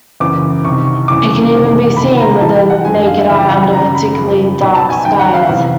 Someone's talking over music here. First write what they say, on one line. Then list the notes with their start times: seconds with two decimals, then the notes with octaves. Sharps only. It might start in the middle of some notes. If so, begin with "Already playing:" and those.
It can even be seen with the naked eye under particularly dark skies.
0.20 F#1 E2 C#3 E3 D6
0.65 C2 C3 D#3 C#6
1.08 F1 E2 C#3 E3 D6
1.52 F#1 E2 C3 D#3
1.96 C#2 C3 D#3 B5
2.19 A#5
2.41 A1 A2 E3 A5
2.55 G5
2.70 F#5
2.85 G#1 F#2 D3 G#5
2.96 G#5
3.07 F5
3.18 E5
3.29 C#2 C#3 E3 E5
3.50 F#5
3.73 G#1 F#2 C#3 A#5
3.95 B5
4.17 F#1 F2 C#3
4.61 B1 B2 B5
4.75 A5
4.90 G#5
5.05 F#1 F#2 D#3 G5
5.19 F#5
5.34 F5
5.42 E5
5.49 F1 E2 C3 E3 F5